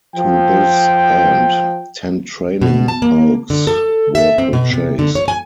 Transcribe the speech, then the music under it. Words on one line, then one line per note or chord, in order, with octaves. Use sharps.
To this end ten training hulks were purchased.
F3 G5
B2
A5
A#3
D3
A4
E5
C4
B2
C3
D3
C#5
G#5